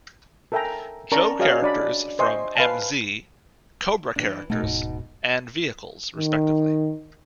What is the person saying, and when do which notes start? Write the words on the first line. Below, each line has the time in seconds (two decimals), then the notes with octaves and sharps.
Joe characters from M-Z, Cobra characters, and vehicles respectively.
0.52 A4 A#4 E5 G5 G#5 A#5
1.12 C#4 A#4 D5 A5 A#5 C#6
1.39 F#4 G#4 C#5 D#5 F5
1.62 D4 D5 B5
2.19 C5 D#5 E5 G#5 C6 C#6
2.55 B4 F5 G#5 A5
4.16 E3 D4
4.50 B2 A3 D#4
4.63 D1 G#2
6.17 D#3